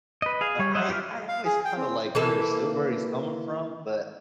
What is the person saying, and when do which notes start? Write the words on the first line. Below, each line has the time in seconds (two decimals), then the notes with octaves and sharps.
but I I always kinda, like, understood where he's coming from. But,
0.22 B4 D#5
0.41 G#4 F5
0.59 G3 C#5
0.74 C5 D#5 E5 F#5
0.89 F4 G4 D5 E5 F6
1.28 F5
1.45 G#4
1.65 G5
1.77 C4
2.15 E3 A#3 A4